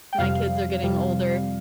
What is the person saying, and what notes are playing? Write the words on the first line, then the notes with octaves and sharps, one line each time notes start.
my kids are getting older,
G5
F2 C3 G3 F5
F2 C3 G3